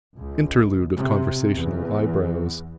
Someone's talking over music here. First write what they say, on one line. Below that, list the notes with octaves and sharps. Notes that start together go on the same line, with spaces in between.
Interlude of conversational eyebrows.
C#2
C3
E2